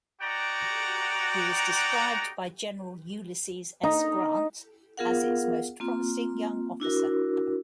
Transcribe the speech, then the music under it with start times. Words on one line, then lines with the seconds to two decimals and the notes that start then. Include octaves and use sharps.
He was described by General Ulysses S. Grant as its most promising young officer.
0.22 D#4 F#4 D5 F#5 G5 A#5
3.83 D#4
4.97 B3 F4 G#4 A#4 F5 F#5
5.80 A#3 C4 F4
6.80 D4 E4 F#4 A#4